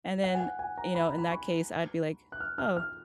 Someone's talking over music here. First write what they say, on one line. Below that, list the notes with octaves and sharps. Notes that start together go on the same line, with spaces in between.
And then, you know, in that case I'd be like, "Oh,
F#5
G#5
F#5
G#5
A#5
B5
A#5
B5
C#6
F#6
F6
F6
F6